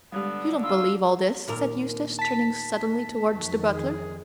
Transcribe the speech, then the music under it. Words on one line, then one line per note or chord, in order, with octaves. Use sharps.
"You don't believe all this?" said Eustace, turning suddenly towards the butler.
D3 G3 G#3 B3 G4
D4 F4 E6
D#2 A#2 A#4
A5 B6
F2 D#3 F#3
G#4